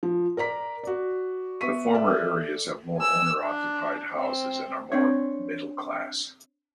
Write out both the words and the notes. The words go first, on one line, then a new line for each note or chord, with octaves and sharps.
The former areas have more owner-occupied houses and are more middle-class.
F3
A#4 D5 A#5 B6
F#4 D5
B3 E5 C#6 B6 D#7
A4 D5 E5
G#5 E6
D4
C4
C4 D4 C#5